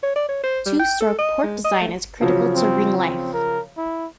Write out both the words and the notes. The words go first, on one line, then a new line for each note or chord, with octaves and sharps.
Two-stroke port design is critical to ring life.
C#5
D5
C#5
C5
G3
G5
A4
D#5
G#3
D#5
A3
C#3 F3 F#3
C4
C4
A#4
E4